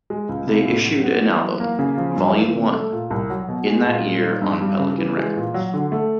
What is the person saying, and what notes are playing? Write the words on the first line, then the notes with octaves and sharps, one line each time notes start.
They issued an album, "Volume One", in that year on Pelican Records.
G#3
C#2
C3
A2
F#3
B3
E3
F#3
A#3
C#3
F3
G2
E3
C3
A3
A#2
C2
F#3
B2
G#3
A#2
G3
D#3
G2
G3
C#3
E3
G#3
A#2
F#3
D3
A3